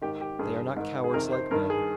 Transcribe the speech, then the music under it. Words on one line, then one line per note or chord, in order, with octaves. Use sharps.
They are not cowards, like men.
G#2 D#3 G4
G4
G2 D#3 G#4
G#2 D#3
G#4
F2 C3 D#3 A#4
C5
G2 D#3 A#4
G#4